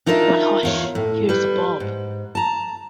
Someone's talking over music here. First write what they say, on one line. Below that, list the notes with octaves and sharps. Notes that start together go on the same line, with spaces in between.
But, hush, here’s Bob.
D4 D#4 F4 A#4 D5 E5
E2 F4 C#5
A2
G3 B4
G#2
A5 A#5